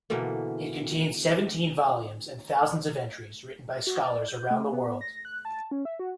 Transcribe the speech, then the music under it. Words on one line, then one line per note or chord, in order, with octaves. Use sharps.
It contains seventeen volumes and thousands of entries written by scholars around the world.
B2 D3 E3 A#3
F#4
D5
G6
A3
B3
A#6
F#6
A5
C#4
E5
F#4